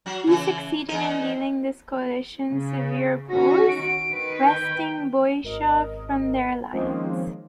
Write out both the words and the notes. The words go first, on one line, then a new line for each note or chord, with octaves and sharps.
He succeeded in dealing this coalition severe blows, wresting Boeotia from their alliance.
F#3 F#4
C#3 E3
E2 D#4
C#3
D#3 C#4 F#4 A#6
D7
D#3 B4
G5
G#1 A#4 D#5
D#3 F3 G#3 A#3 C4 C#4